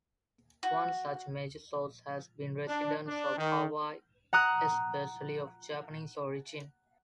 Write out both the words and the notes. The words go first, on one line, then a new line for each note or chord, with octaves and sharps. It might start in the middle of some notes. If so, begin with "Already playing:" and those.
One such major source has been residents of Hawaii, especially of Japanese origin.
F#4
D4
D4
D#3
F#5 A#5 D#6 F#6